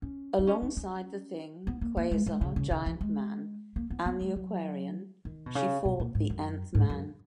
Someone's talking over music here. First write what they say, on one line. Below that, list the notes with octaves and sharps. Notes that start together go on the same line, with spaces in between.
Alongside the Thing, Quasar, Giant-Man, and the Aquarian, she fought the Nth Man.
C#4
D#4
C#4
D#4
C#4
B3
A#3
A#3
G#3
G#3
C#3
C#3
C#3
E3
G#3
A#3
B3
B3
G#3
F#3
D#3
B2
C#3
B2
A#2
G#2
F#2
G#2
F#2